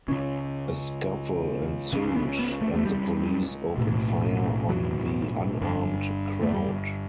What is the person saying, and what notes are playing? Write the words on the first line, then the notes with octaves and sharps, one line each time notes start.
A scuffle ensued, and the police opened fire on the unarmed crowd.
C#2 C#3 C#4
C#2 C#3
B3
B3
A3
A3
G3
B1 A2
F#3
G1 G2 D3
A3
G3